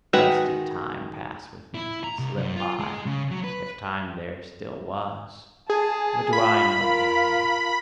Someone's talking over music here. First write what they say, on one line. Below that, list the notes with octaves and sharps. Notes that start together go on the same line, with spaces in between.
Thus did time pass with me, and slip by, if time there still was: what do I know thereof!
D#3 G#3 D#4 F#4 B4
E4
A#5
C2
F#2
F4
G#3
C#3
F#3
B4
G#4 A5
F4 B5
F4 A#4